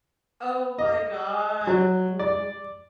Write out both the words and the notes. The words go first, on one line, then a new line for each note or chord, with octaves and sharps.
Oh, my gosh, no.
D#5
F#3
D5